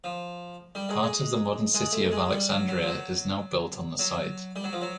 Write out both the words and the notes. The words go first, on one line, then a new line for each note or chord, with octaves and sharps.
Part of the modern city of Alexandria is now built on the site.
F3
G3
G#3
G#3
G#3
A3
G#3
G3
F#3
F#3
F3
F#3
F#3
G3
F#3
F3
F#3